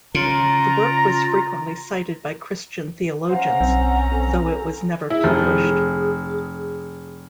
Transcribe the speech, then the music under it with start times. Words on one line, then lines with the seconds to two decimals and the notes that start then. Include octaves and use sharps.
The work was frequently cited by Christian theologians, though it was never published.
0.15 C#3 F4 A#5
3.29 C#4 C5 F5 F#5 A#5
3.61 B1 C4
4.12 C4 A4
5.10 E4 G#4
5.24 F1